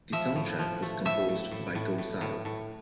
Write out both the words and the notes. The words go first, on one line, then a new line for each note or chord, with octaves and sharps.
The soundtrack was composed by Go Sato.
F3 E5
A2
F3
A3
A2 E5
A2
A2
A2
A2
A2
A2